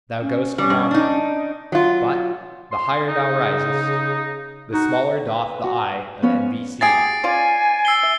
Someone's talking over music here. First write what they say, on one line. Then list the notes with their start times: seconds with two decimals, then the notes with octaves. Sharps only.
Thou goest beyond them: but the higher thou risest, the smaller doth the eye of envy see thee.
0.22 C#4
0.58 G3 C#4
0.70 G2
0.91 D4 D#4
1.72 F#3 F4
2.72 C6
3.08 C#3 D#4
4.73 D#4 F#4
5.27 B4
5.64 F#4
6.22 F3 B3 C#4 C#5 F5
6.81 F#3 G4 G#4 A6 C7 D7
7.24 C#4 F4 D5 G#5
7.85 E6 C7 G7
8.03 E5